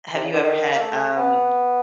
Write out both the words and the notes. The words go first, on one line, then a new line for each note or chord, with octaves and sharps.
Have you ever had, um,
C3
C#3
D3
D#3
A#3
A3
B3